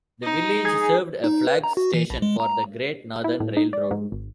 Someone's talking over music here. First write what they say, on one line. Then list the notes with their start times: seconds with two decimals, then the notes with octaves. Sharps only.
The village served a flag station for the Great Northern Railroad.
0.23 D#4
0.65 G#4
1.24 D#4
1.47 B4
1.64 A#5
1.77 F#4
1.94 E3
2.10 A#1
2.22 G#3
2.40 A#5
3.24 E4
3.40 A2
3.57 D#4
3.73 D5
3.91 G#2
4.12 G#1